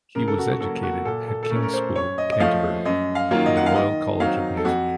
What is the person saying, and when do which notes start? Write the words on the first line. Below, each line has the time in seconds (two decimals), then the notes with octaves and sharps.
He was educated at King's School, Canterbury and the Royal College of Music.
0.15 C#3 A#4
0.28 A4
0.38 F#4
0.52 F#4
0.60 F#3 A#3 A4
0.83 F#4
1.05 A#2 A4
1.28 A4
1.43 A4
1.50 A3 A#4
1.55 C#4
1.63 A#4
1.73 C5
1.95 F#2 C#5
2.18 D#5
2.32 D#5
2.40 F3 A3 F5
2.85 F#2 D#5
3.15 F5
3.31 D#3 F#3 A#3 F4
3.46 D#5
3.57 F#5
3.66 F5
3.75 D#3 D#5
4.20 F#3 C4 D#4 F5
4.57 A4
4.65 F2 F#4